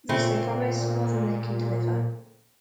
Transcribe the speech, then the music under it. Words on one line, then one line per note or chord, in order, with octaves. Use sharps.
Thus they promise more than they can deliver.
A#2 C#3 A3 C4